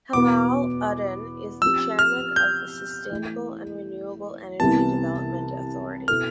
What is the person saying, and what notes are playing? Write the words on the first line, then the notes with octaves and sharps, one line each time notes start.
Helal Uddin is the chairman of the Sustainable and Renewable Energy Development Authority.
E2 B2 B3 D6
F3 C4 G4 E6
F6
G6
E3 A3 E4
C2 C3 E3 G3 B3 A5
B2 B3 E4 A4 F6